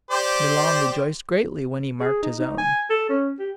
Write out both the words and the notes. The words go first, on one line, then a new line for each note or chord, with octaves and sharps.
Milon rejoiced greatly when he marked his own.
G4 C5 D5
G#4
D#4
D#4
G#5
A4
C#4
G4